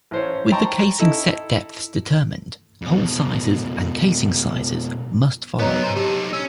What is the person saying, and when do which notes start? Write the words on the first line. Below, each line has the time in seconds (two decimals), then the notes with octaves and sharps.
With the casing set depths determined, hole sizes and casing sizes must follow.
0.11 A1 C5 C#5
0.52 G5 A5 A#5 C6 C#6
0.99 D#4 E4 A4
2.82 F2 B2
5.59 F#3 B3 C#5 D#5 A#5
5.83 G#4 C5
5.96 D#4 G4 A4
6.33 C#4 E6